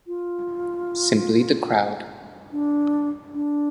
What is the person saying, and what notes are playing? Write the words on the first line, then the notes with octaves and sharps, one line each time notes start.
Simply the crowd.
F4
D4
D4